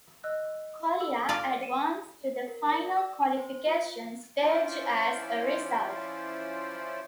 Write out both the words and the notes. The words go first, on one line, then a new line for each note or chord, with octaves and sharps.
Korea advanced to the final qualification stage as a result.
D#5 E6 F#6
A4 E6 F#7
F4 D5 F5
C#7 D#7 E7
A#4
D5
E6
C5
F4
F3 C#4 E4 F4 C5 D5